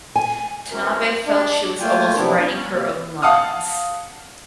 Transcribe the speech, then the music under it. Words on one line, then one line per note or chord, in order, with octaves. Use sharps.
Tanabe felt she was almost "writing her own lines".
G#5
F#2 B2 E3 C4 A#4
D4
A3 A#3 F4 G5 G#5
C3 F3 F#3 B3 D4 E4
B3 D4 G#5
C#4
C3 A#3
F5 F#5 A5 D#6 F6